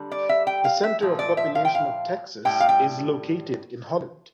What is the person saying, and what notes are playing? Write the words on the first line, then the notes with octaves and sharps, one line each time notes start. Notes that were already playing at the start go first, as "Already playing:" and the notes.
The center of population of Texas is located in Holland.
Already playing: D3 G3
D5
E5
G5
F5
E5
A#2 F3 A3
D5
E5
F5
G5
F5
A2 G3 G5
F5
G5